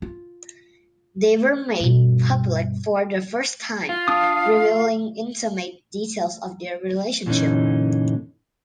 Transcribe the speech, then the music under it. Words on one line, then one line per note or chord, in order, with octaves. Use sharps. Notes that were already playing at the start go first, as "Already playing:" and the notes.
They were made public for the first time, revealing intimate details of their relationship.
F4
G2 B2
F4 F5
D4 D#6
F#2 A#2 D3 E3 C#4 D#4